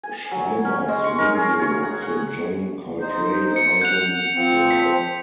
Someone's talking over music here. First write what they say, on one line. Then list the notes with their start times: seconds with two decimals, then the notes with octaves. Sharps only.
Schreiber's review of the John Coltrane album Live!
0.03 G#5
0.31 F#3
0.65 C#4
0.88 G#3
1.04 C#6
1.18 A#4
1.35 G#4
1.59 C#5
1.83 F#5
2.02 F#5
3.00 D#4 C5
3.56 C#7
3.81 F#5 G6 F7
4.36 F3 C4
4.71 B6